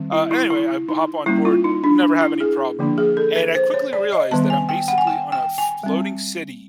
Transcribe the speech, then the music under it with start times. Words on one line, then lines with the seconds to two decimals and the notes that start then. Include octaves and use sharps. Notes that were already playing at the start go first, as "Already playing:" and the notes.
Uh, anyway, I b hop on board, never have any problem, and I quickly realized that I'm basically on a floating city
Already playing: D#3 G3 C4
0.12 E4
0.31 E4
0.50 E4
0.89 D#4
1.26 G3 A#3 C#4 E4
1.45 F4
1.64 D#4
1.84 D4
2.03 D4
2.21 E4
2.41 G#4
2.79 D3 F3 A#3 D4
2.98 G#4
3.17 A4
3.36 B4
3.55 C5
3.74 C#5
3.93 D5
4.12 D#5
4.31 D#3 G3 B3 A5
4.50 G#5
4.69 G5
4.88 F#5
4.98 G#5
5.07 G5
5.32 G5
5.58 G#5
5.83 G3 C4